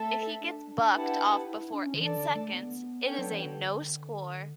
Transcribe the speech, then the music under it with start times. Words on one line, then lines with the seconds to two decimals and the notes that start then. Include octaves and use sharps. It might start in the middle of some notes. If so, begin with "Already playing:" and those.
If he gets bucked off before eight seconds, it is a no score.
Already playing: A3 A4 E5
0.41 D4
0.94 E4 G4 B4 F#5 A5
1.47 E4
1.60 E4
1.74 D4
1.86 C#4
1.94 D3
1.99 E3 D4 A4 D5 A5
2.17 D3
2.35 A3
2.53 B3
3.06 B3 C#4 D4 A4 C#5 G5
3.19 F#3
3.32 E3
3.45 D3